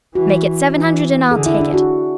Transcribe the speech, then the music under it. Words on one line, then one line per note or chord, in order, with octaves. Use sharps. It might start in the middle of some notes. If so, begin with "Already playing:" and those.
"Make it seven hundred and I'll take it."
E3 F#4
E3
D3 G#4
E4
D4
F#4